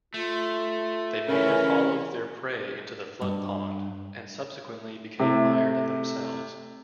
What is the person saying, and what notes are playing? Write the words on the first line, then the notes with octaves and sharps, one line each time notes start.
They may have followed their prey into the floodpond and subsequently became mired themselves.
A3 F4
C#3 E3 C#4 E4 A#4
G2
C3 A3 E4